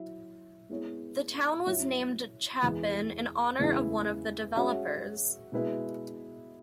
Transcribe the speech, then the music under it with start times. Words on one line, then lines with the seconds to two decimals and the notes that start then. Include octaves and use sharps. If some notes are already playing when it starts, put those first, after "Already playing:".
The town was named Chapin in honor of one of the developers.
Already playing: F#3 E4 E5
0.70 G#3 B3 E4 G#4 C#5
1.66 F#2 F#3 E4 C#5 E5
2.63 E2 E3 G#3 E4
3.59 E2 C#3 E3 G#3 E4
4.56 G#3 C#4 F#4 E5
5.52 B2 G#3 E4 B4 E5